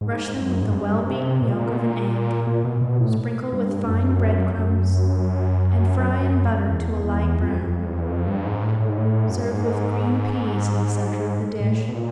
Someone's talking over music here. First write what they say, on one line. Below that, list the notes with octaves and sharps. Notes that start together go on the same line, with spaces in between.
Brush them with the well-beaten yolk of an egg, sprinkle with fine bread crumbs, and fry in butter to a light brown. Serve with green peas in the center of the dish.
G#2
F#2
G#2
G2
C3
A#2
B2
A#2
A#2
B2
B2
A2
G2
F#2
F#2
E2
E2
F2
F2
E2
F2
E2
F2
G2
G#2
A2
A2
G#2
A2
F#2
G2
G#2
A2
B2
A#2